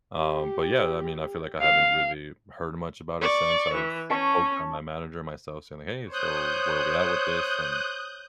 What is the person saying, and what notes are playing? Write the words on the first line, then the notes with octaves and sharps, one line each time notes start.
Um, but, yeah, I mean, I feel like I haven't really heard much about it since. I've poked on my manager and myself saying, "Hey. So, where are we at with this?" And,
G4
F5
D5 C#6
E3
C#4 A5 C#6
C5 C#5 D#6 F#6 G6